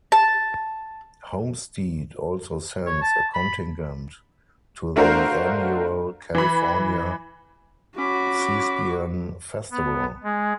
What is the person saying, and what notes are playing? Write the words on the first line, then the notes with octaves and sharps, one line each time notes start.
Homestead also sends a contingent to the annual California Thespian Festival.
A5
C#5
A5
B5
A3 D4 F#4 A#4 C5 F5
E3 B5
C#4 F#4 B5 D6
B3
G#3